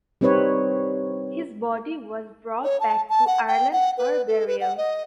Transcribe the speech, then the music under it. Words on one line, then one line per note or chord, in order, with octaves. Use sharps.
His body was brought back to Ireland for burial.
G3 C4 D#4 B4 C#5
C#5
A5
A5
F#5
G5
F#5
B4
A4
B4
F#5
D#5